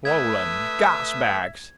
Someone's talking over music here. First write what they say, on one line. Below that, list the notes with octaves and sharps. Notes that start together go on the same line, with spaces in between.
Swollen gas-bags!
A3 B4 E5 D#6 G#6